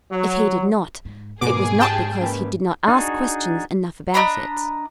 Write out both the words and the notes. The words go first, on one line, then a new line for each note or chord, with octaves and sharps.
If he did not, it was not because he did not ask questions enough about it.
F#3
G#2
G#2 B2 A#3 B3 G#4 D6
B2 G#3 G4 G5 A5
C#3 A#3 B4
D4 D#4 F#4 G#4
D4 D#5 A#5 B5